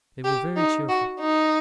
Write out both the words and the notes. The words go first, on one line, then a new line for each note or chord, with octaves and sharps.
They were very cheerful.
G4
D#4
F#4
D#4